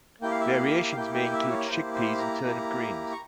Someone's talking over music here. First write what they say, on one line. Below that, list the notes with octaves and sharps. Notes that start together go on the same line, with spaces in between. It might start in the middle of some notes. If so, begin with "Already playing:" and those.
Variations may include chickpeas and turnip greens.
A#3 E4 G4 G5
F5
E5
F5
F5
A#3 E4 G4 G5
G5
E5
C#5
A#4
A#3 E4 G4 C5
C5
A#5
A#3 E4 G4
C#6